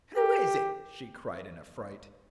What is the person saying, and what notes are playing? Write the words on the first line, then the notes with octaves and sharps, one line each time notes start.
"Who is it?" she cried in affright.
G4